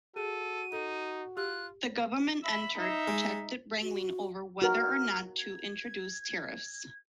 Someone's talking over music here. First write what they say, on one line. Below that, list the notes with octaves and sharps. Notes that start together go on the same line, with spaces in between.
The government entered protracted wrangling over whether or not to introduce tariffs.
F#4 G#4 A4 D#7
D#4 A4
F4 G4 F#6
E5 B5
D#4 E5
G#3
F#4
F#4 A#4 F6
G#6